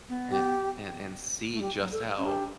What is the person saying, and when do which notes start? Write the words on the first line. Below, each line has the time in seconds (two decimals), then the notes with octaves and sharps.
and and and see just how
0.09 B3
0.31 G4
1.53 A3
1.60 G3 G4
1.81 F#3
1.92 A4
2.18 C#4
2.24 D4 G4